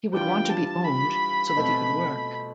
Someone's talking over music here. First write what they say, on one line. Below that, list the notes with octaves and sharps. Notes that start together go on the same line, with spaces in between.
He would want to be owned, so that he could work.
E3 G3 D4 F4 G5
A5
B5
B2 A3 C4